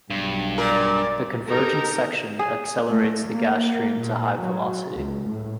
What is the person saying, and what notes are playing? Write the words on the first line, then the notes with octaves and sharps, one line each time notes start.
The converging section accelerates the gas stream to high velocity.
B1 G2
A#2 A#4 D5
D#4 G4 A4 A#4 A#5
G#4
A3
A#3
A#2
F#3
C#2
A2